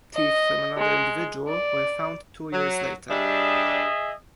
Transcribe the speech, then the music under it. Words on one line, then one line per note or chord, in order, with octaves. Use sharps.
Teeth from another individual were found two years later.
D#5
G#3
D5
F#3
G3 D4 G#4 D#5 E5